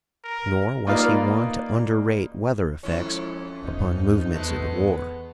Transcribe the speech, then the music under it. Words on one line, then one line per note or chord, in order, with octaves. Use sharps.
Nor was he one to underrate weather effects upon movements in war.
A#4
A#3 D#4 F4 B4 D5 F5
F2 G#3 C#4 E4
E2 F3 D#4
G#3 A3 B3